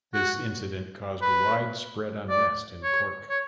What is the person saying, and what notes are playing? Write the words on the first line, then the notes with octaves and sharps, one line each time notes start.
This incident caused widespread unrest in Cork.
F#4
B4
D5
C#5
C#5